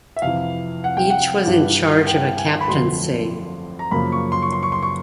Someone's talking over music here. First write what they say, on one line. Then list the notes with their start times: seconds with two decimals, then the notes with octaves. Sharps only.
Each was in charge of a captaincy.
0.16 E5
0.22 F2 C3 E3 F5
0.84 F#5
0.97 G5
1.10 F#5
1.45 G2 E3 G3
2.07 G5
2.37 G#5
2.61 B5
2.68 F2 D3 F#3 A3 C6
3.79 A#5
3.91 F#2 C#3 F3 A#3 B5
4.12 C#6
4.32 C6
4.42 C#6
4.52 C6
4.63 C#6
4.72 C6
4.83 C#6